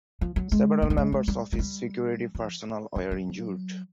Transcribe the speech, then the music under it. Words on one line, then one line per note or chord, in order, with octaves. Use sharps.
Several members of his security personnel were injured.
F3
F#3
G#3
A3
G3
G#3
G#3
G3
F#3
G3
F3
E3
F#3